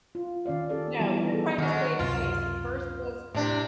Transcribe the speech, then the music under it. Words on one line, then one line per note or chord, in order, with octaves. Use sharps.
No, you're trying to save face. First it was,
F4
D#3 C#4 D5 F5
C#4 G4 A4 D5
E3 F3 G3 B3 D#4 F#4
G3 G#4 A4
G#2 D#3 F#3
C#2 F#2 C3 F4
A2 C3 D4